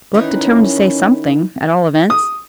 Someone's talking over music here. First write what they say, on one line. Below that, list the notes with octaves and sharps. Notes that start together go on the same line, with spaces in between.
Gluck determined to say something at all events.
D#3 E3 C#4 D#4
D#6